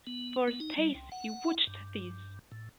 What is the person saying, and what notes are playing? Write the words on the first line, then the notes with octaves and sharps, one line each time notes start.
For a space he watched these.
B3
B3
D#4
G3
C2
F#5
G2
A2